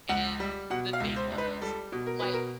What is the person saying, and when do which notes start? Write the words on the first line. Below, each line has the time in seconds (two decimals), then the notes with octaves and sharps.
and the thing was, like,
0.09 C#2 F#5
0.40 G3
0.70 B2 F#5
0.93 F5
1.00 C#2
1.16 C5
1.31 C#2
1.38 B4
1.62 G3 A4
1.92 B2
2.06 A#4
2.20 B2 B4
2.34 A#4